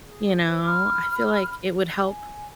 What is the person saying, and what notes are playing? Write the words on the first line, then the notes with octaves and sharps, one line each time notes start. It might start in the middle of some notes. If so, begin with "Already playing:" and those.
you know, I feel like it would help
G#4
C5
B5 F6
G#5